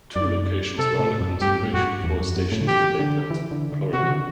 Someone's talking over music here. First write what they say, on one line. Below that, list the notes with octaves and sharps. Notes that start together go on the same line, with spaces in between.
Two locations were under consideration for a station near Lakeland, Florida.
F#2 D5
C3 A4
A2
F#2
G2 G4
A2
F#2 F#4
G2
E2
F#2
F#2
A2
D3
E3 G4
D3
E3
D3
D3
C3 F#4
E3
D3